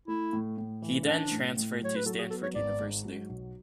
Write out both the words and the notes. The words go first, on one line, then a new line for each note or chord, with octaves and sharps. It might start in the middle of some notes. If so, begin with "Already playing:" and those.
He then transferred to Stanford University.
A3 E4
A2
A2
E3
C#4 D4
A2
A2
F#3 C#5
B4
F#3 A4
G#4
B3 A4
C#5
G#1 D5
G#2
F#3
B1